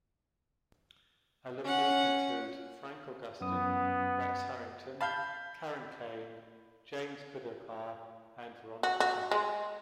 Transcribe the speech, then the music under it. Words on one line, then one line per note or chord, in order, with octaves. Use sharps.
Alumni include Frank Augustyn, Rex Harrington, Karen Kain, James Kudelka and Veronica Tennant.
C#4 F#5
F#2 B3 D#6
F5 A5 B5 G6
F#4
F#4
G#3